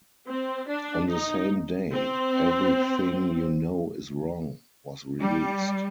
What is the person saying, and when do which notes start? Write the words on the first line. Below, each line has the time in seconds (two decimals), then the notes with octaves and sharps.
On the same day, "Everything You Know Is Wrong" was released.
0.27 C4
0.68 D4
1.10 D#4
1.91 C4
5.20 G3